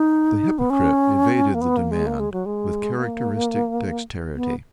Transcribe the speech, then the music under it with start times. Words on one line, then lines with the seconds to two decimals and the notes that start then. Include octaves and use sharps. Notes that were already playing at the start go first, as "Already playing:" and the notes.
The hypocrite evaded the demand with characteristic dexterity.
Already playing: D#4
0.59 B3
0.70 C#4
1.54 A#3
1.61 B3
1.77 A#3
1.91 G#3
2.07 A#3
2.20 G#3
2.32 F#3
2.46 G#3
2.98 A#3
4.35 B3